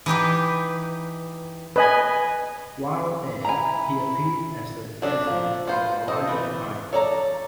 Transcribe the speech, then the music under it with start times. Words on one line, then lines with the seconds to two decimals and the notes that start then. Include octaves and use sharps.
While there, he appeared as a guest lead on "Hawaii Five-O".
0.06 E3 D#4 G4 B4
1.76 B4 D#5 G#5
3.45 E4 G#5 A#5
5.02 A3 D4 F#4 E5
5.26 F3 A#3
5.68 F4 F#4 B4 C5
6.08 C4 D#4 A4 D#5
6.27 E3 B3 B4 D5
6.93 A4 C#5 D5 A#5